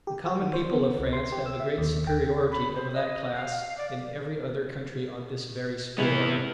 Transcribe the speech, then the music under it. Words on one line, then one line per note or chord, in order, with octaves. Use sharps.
The common people of France have a great superiority over that class in every other country on this very score.
G4
F#4
D#3
C5
B3
C#2
C6
G4
E6
E5
D#2
G5
B5
C5
D#5
F5
D5
C3 G#3 B3 E4